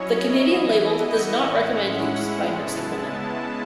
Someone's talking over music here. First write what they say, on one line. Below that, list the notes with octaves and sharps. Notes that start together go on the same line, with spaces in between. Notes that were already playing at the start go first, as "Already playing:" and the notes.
The Canadian labeling does not recommend use by nursing women.
Already playing: F#3 C#4 E4 C#5 D#5
E3 B3 E4
F#5
A2 G#3 C#4 E4 F#5
C#3 G#3 B3 E4 A5
A5